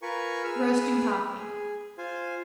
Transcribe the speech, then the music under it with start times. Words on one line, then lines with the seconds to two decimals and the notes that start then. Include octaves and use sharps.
Roasting Coffee.
0.02 F4 A#4 B4 G#5 C#6
0.44 G#4 B4 E6 F6
1.37 G#4
1.98 F4 C5 G#5